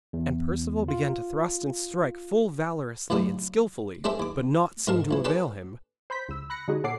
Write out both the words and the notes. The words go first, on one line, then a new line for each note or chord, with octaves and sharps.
And Perceval began to thrust and strike full valorously and skilfully, but naught seemed to avail him.
E2
F4
D#2 A2 C#3 F#3 D4 D#4
G#3 C#4 D4 A4 C5 E5
D#2 D6
G#2 A#4 F5 A5
C#2 E3
C#4 D4 A4 B4 A5 C6
C5 B5 G6 B6
C#2 E6
B5 F#6 A#6 C#7
D3 G#3 D#4 F#4 G#4
A#2 A4 C#5 F#5 D6 C7